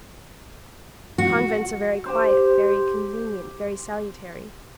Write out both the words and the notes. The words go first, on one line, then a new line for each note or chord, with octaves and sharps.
Convents are very quiet, very convenient, very salutary.
F#4
G4 C5